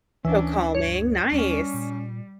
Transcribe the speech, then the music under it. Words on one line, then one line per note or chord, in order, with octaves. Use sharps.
So calming, nice.
D2 E3 C#4 D4
G2 C#5
D#2 G3 C#4
A#2